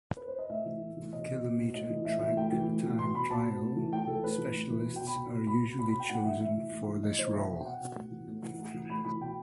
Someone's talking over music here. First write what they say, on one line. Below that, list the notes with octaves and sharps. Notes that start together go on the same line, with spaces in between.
Kilometre track time trial specialists are usually chosen for this role.
B4
C5
D#5
A2 E5
E3
A2
E3
B2 D#5
B2
B2
B2
A2 D#5
E3
A2 E5
E3 E5
A2 G5
E3
A2
E3
B2 C6
B2 B5
B2 A5
B2
A2
E3
A2 G5
E3 A4
A2 B4
E3
A2
E3
B2
G5
B2
B5
B2
B2
B2 B5
B2
B2 B5
B5
B2
G5
A2 F#5
E3 E5
A2 E5
E3
A2
E3
A2 D#5
E3 C5
B2 E5
B2
G5
B2 F#5
B2
A2
E3
A2
E3
A2
E3
A2 B5
E3 B5
B2 G5